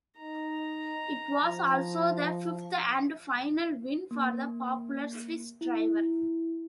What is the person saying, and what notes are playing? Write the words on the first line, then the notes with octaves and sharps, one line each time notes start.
It was also the fifth and final win for the popular Swiss driver.
D#4 A#5
F3
A#3
E4